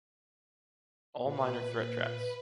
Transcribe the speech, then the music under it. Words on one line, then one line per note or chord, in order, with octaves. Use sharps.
All Minor Threat tracks.
A#2 B4